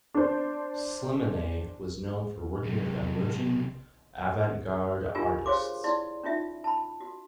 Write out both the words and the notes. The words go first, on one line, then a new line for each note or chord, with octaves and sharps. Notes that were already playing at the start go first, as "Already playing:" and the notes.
Slimane was known for working with emerging avant-garde artists.
D4 C5
C3 F#3
D4 F4 G4 A#4 G#5
G#4 C5 C#5 F5 C6 D6
E4 D5 C6
C#4 D#4 F4 E5
A5 B5
F#4